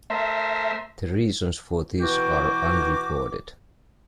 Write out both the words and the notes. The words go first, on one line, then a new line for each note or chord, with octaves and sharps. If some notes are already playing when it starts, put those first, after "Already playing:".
The reasons for this are unrecorded.
A3 A#4 C5 E5
B2 E3 F#4 G5 D6